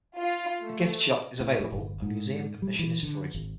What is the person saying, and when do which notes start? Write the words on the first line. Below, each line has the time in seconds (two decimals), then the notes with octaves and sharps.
A gift shop is available, and museum admission is free.
0.18 F4
0.62 A3
1.40 A2
1.60 A2
1.72 G1
2.02 G#2
2.62 G3
2.79 E3
3.03 D3
3.34 G#1